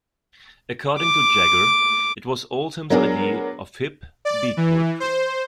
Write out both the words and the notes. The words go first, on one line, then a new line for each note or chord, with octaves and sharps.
According to Jagger, it was Oldham's idea of hip, Beat poetry.
D6
F#3 B3 D4 G#4 A#4
D5
E3
C5